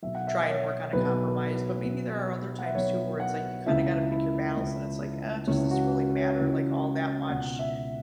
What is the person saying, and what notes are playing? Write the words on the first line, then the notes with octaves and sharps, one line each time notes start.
try and work on a compromise, but maybe there are other times too, where it's like you kinda gotta pick your battles, and it's like, "Uh, does this really matter, like, all that much?"
B1 B2 E5
F#5
E5
C#5
B1 B2 B4
B1 B2
F#5
E5
B1 B2 C#5
F#5
C#2 C#3 E3 E5
E4
C#2 C#3 E3
C#2 C#3 E3 C#4
F#4
C#5
C#2 C#3 E3
C#2 B2 F#5
E5